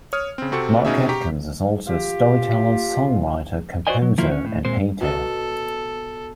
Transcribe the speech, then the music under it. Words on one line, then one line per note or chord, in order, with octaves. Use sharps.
Mark Atkins is also a storyteller, songwriter, composer and painter.
C#5 D#6 F6
C#3 C4
C3 C4 F#4 A4 C#6 C#7
B2 C#4 D#4 G#4 E5
G4 A#5 C#6 B6
F4 G4
F#4 B4 C5 D5 D#5 G#5
F#3
D#3 F3 F#3 A#3 E4 F4
C#4
A2
A#2 G#3 C4 C5
B2 F#4 A4 A#4